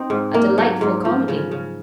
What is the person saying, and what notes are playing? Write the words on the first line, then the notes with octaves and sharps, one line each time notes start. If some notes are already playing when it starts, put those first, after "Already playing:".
A delightful comedy.
Already playing: C4 D#4
G#2
A#3
F#3
G#2
F3
C#3
C#3